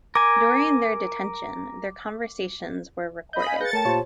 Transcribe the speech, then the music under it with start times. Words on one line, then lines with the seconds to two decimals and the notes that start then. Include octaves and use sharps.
During their detention, their conversations were recorded.
0.15 A#4 G#5 D6
3.33 D#5 B5 G6
3.46 F5 G#5
3.61 G#4 B4 G6 A6 A#6 C#7
3.73 A3 A#4 C#5 G5 A5
3.85 A#2 F4 G4 C5 C#5